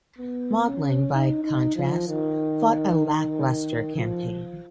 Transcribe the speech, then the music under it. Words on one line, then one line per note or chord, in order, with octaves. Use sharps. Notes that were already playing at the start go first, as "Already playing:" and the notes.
Maudling, by contrast, fought a lacklustre campaign.
B3
C#4
D#4
D#4
F3
D#3
F3